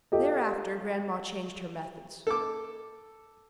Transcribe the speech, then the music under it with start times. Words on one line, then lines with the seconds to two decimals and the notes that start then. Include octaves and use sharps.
Thereafter grandma changed her methods.
0.12 F4 G4 A4 D#5
2.27 A4 D6